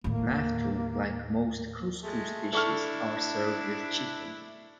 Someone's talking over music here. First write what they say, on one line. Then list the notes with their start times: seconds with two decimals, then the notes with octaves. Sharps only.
Maftool, like most couscous dishes, are served with chicken.
0.04 D#2 A2 A#3
2.03 G#3 A3
2.53 D4 E4 A4 C#6 F6